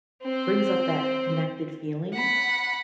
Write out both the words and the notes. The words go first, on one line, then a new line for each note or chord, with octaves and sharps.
brings up that connected feeling,
C4 C5
F#5 B5